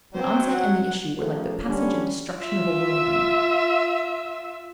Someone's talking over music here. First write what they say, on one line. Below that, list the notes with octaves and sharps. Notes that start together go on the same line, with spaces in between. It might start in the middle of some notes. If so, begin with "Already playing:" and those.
The onset and the issue were like the passage and destruction of a whirlwind.
F#3 C4 C5
F#5
C#3 F3 A3 G4 A4 A#4
D3 G3 C#4
F4 E5